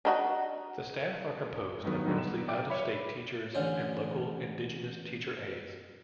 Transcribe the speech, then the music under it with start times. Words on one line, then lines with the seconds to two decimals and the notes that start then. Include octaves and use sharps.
The staff are composed of mostly out-of-state teachers and local indigenous teacher aides.
0.05 D4 D#4 F#4
1.84 G2 D#3 F#3 B3
2.05 D3 F#3 G3 B3 D#4
2.18 E7
2.48 D5 E5 G5 D6
2.70 C#5 E5 B5
3.54 A1 D3 C#4 C5 C#5